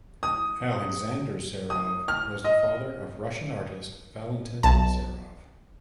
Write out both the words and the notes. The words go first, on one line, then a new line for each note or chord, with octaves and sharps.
Alexander Serov was the father of Russian artist Valentin Serov.
D#6
D#6
F6
D#5
B1 A5